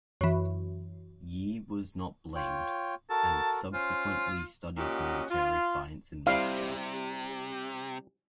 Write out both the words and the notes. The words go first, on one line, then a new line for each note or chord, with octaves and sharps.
Ye was not blamed, and subsequently studied military science in Moscow.
F#2 E3
F4 C#5 G5
F#4 A4 A#4 A5
C#4 F4 C5
A#2 C#4 F#4 G4 D#5 F#5
F4
C3 G3 C4 E4 F5